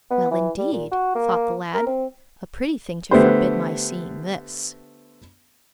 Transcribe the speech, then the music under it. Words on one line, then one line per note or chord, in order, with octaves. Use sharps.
Well, indeed! thought the lad; a pretty thing to forbid my seeing this.
B3
E3
G3
A#2
F#4
A#3
A#4
C4
D3 A3 B3 G4 C5